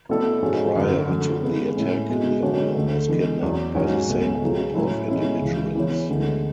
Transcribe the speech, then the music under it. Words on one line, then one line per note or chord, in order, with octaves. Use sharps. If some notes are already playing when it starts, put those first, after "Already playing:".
Prior to the attack the owner was kidnapped by the same group of individuals.
B2 A3 E4 A4 D5
G#2 G#3 C#4 F#4
F#2 D3 F#3
D3 F#3 A3
C#3 G#3 B3
A2 G#3 C#4 E4
B2 G#3 B3 F#4
D3 G#3 D4 F#4 C#5
D2 D3 A3
E3 G#3 B3 D4 G#4
E2 B2 F#3
G#2 F#3 C#4 F#4
C#2 B2 A3 C#4
C#2 C#3 F#3
A2 F#3 C#4 E4
B2 G#3 C#4 E4
C#2 C#3 E3 G#3
E3 B3 E4 G#4 C#5
D2 D3 G#3